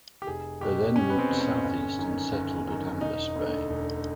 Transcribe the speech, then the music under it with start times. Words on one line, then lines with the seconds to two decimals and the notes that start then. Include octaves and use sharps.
They then moved southeast and settled at Ambas Bay.
0.22 G4
0.27 F1 G#4
0.61 E2 B2 G4
0.96 F1 C#4
1.10 B3
1.18 C4
1.29 E2 B2
1.41 C#4
1.64 G1
1.99 F#2 D#3
2.33 G1
2.68 F#2 D#3
3.01 E1 D#4
3.36 D2 D3
3.70 E1